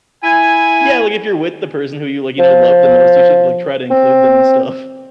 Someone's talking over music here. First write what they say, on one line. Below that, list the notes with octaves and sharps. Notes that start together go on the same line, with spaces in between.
Yeah, like if you're with the person who you like, you know, love the most, you should, like, try to include them and stuff.
E4 G#5
F3
C4